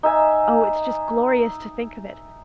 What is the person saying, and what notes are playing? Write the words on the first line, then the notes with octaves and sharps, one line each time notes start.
Oh, it's just glorious to think of it.
D#4 E5 G#5